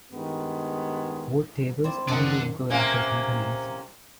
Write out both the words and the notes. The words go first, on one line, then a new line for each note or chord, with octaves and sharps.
Both tables only include active companies.
G2 D#3 G#3 B3
C4 E4 D5
F#2 D#3 D5 F#5
C3 A#3 C#4